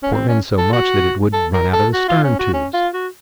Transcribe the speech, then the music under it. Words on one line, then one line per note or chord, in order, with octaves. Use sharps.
Pour in so much that it would run out of the stern tubes.
C#4
C4
C#4
A4
F#4
A4
A#4
A4
F#4
F4
C#4
F#4
C#4
F4
F#4